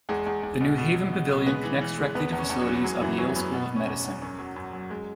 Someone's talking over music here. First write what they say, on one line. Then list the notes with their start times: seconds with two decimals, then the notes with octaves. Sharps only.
The New Haven Pavilion connects directly to facilities of Yale School of Medicine.
0.09 E2 G#3 G#4
0.26 E2
0.43 E2
0.61 B2
0.78 B2
0.95 F#3
1.12 B2
1.29 B2
1.46 G#3 B3 B4
1.64 E3
1.81 E3
1.98 G#3
2.15 E2 B3 B4
2.32 E2
2.38 C#4
2.50 E2
2.61 F#3 F#4
2.67 E3
2.75 F#4
2.84 F#3 G#3 G#4
3.01 F#2 E3 E4
3.18 F#3 C#4
3.35 F#2 B3
3.53 B2 B3
3.70 B2
3.76 C#4
3.87 E2
4.05 E2
4.22 F#2 C#4
4.39 F#3
4.56 F#2
4.73 F#3
4.90 G#3